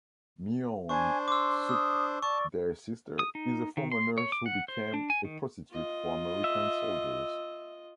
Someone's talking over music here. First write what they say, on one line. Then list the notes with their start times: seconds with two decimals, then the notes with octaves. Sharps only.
Myeongsuk, their sister, is a former nurse who became a prostitute for American soldiers.
0.89 D4 C5 G#5 C#6
1.28 C6 D6 E6
1.69 D#6 E6
2.22 D5 A5 C#6
3.19 D#6
3.35 D#4
3.77 D#3
3.92 C6
4.18 C#5
4.32 D6
4.46 F#5
4.68 C5
4.94 D4
5.10 G#5
5.25 D#3
5.71 F4 D#5
6.44 E5